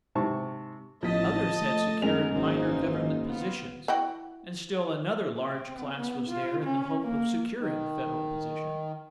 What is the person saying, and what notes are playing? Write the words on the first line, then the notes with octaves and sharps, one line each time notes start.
Others had secured minor government positions, and still another large class was there in the hope of securing Federal positions.
G#2 C3 A5 C#6
A1 F3 D#5 A5 B6
A3
F#2 G#3 B3 D#4 A#4 F7
G#1 A#3 D#4 C5
B3 F4
E3 F#4 G5
C4
B3
F4
C#4
A#3
D#3